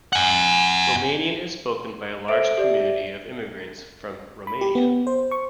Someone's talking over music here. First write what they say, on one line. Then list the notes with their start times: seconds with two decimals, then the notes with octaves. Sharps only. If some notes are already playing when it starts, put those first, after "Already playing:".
Romanian is spoken by a large community of immigrants from Romania.
0.13 F#5 G#5
2.28 A4 C5 E5 D7
2.57 G4 D5 E5
4.47 B5
4.61 G4
4.75 B3
5.07 C5
5.31 C#6